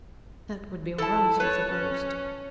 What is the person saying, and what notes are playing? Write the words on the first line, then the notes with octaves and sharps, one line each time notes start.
That would be all right, he supposed.
E4 A4 A5
B4 C#5 A5
C#4